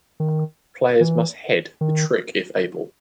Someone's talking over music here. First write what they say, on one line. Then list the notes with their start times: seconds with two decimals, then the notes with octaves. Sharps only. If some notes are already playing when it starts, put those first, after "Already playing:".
Players must head the trick if able.
0.20 D#3
1.01 E3
1.81 D#3